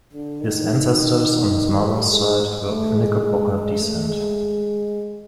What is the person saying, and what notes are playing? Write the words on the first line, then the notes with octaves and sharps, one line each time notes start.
His ancestors on his mother's side were of Knickerbocker descent.
D3
D#3
G3
G#3
A3
G#3
G#3
G#3
A3
G#3